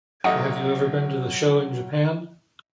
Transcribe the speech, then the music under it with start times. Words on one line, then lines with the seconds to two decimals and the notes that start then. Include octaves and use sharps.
Have you ever been to the show in Japan?
0.24 A1 F#3 D#5 F#5